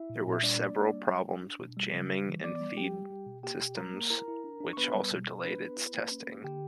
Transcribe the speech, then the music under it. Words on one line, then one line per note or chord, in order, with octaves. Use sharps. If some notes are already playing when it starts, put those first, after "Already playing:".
There were several problems with jamming and feed systems, which also delayed its testing.
Already playing: E4 E5
A#2
A#2
E5
G3 D4 D5
A#3
A#3
G3
G3
D4
D4
B2
G3
C#3
G3
E3
B3 D5 D6
G3
G3 G4 G5
G3
G3
B2
A#3 G4 G5
B2
G3 A#4 A#5
A#3
E4 A#4 A#5
E4
D4
D4
C#6
B3 B4 B5
G3
B2
B3
D4 B4 B5
B3
E4
A#3
C#4
A#3
D3 G4 G5